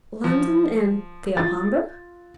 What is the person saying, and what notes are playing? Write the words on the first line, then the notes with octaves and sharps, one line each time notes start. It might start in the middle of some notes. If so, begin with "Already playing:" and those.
'London and the Alhambra!'
F3
F4 A6